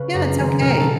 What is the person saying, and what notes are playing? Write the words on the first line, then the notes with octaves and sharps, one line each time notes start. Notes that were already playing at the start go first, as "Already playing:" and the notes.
Yeah, it's okay.
Already playing: C#3 B4 C#5
F#2
D#3 G#3
B2 A#4
A4